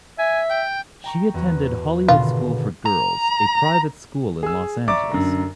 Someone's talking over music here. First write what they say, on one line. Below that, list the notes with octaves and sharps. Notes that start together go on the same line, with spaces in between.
She attended Hollywood School for Girls, a private school in Los Angeles.
E5 G#5
G5
G5 A#5 C#6
E2 F#4
G#1 B2 D3 F4
A#5
G#4 E6
D5 E5 A#5 C#6 D6 A6
F#2 D3 A#5